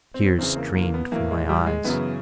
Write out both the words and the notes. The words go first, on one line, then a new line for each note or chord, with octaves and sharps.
Tears streamed from my eyes.
C4
E2 C#3 E3 C4
A#3
A#3
B3
A2 E3 A#3
G#3
G3
G#3
F#2 C#3 E3 B3